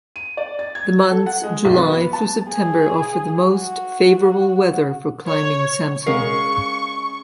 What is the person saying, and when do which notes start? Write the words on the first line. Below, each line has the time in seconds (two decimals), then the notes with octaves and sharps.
The months July through September offer the most favorable weather for climbing Sampson.
0.16 D#7
0.37 D5
0.59 A6
0.75 G#6
1.11 A4
1.26 F#5
1.43 G#3
1.65 B1
1.77 B3
2.13 A5
2.49 G#4
3.49 F#4
5.27 C#5
6.06 C#3 G#3 A#4 F5 F#5 C#6